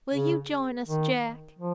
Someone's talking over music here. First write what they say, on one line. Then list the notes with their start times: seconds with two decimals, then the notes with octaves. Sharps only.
"Will you join us, Jack?"
0.14 C#3
0.86 D#3
1.59 F3